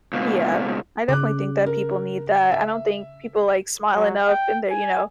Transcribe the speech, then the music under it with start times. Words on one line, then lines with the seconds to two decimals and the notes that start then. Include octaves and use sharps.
Yeah. I definitely think that people need that. I don't think people, like, smile enough in their, you know,
0.13 C#2 B2
1.09 C#3 D6 F#6
1.66 A#4
2.51 E5
3.95 F#3
4.28 G5
4.71 G#5